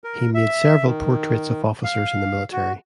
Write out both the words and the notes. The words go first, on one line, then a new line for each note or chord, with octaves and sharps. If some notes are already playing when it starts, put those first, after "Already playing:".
He made several portraits of officers in the military.
A#4
E5
D#3
F5
F#4